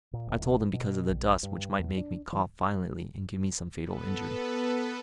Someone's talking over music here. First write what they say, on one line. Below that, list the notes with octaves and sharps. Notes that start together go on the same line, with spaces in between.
I told him because of the dust which might make me cough violently and give me some fatal injury.
A#2
D1
B2
A#1
G2
E2
D4
E3
B3 A4 B4